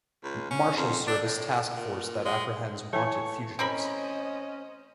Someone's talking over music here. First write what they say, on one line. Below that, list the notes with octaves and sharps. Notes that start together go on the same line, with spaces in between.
Marshals Service task force that apprehends wanted fugitives.
C#2
C#4
F2
D4
A2
A#2
G#3
E3 A3 C#5
C4 C#4 A#4 C5 D#5 B5